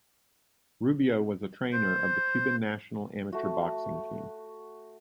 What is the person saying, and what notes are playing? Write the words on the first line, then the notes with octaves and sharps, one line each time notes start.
Rubio was a trainer of the Cuban national amateur boxing team.
C5
A3 F#4